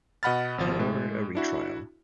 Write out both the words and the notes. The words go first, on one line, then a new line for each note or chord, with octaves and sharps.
He ordered a retrial.
B2 D#5 F#5 B5 F6 A6
G#1 F3
A2 G#3
D4 E4 F#4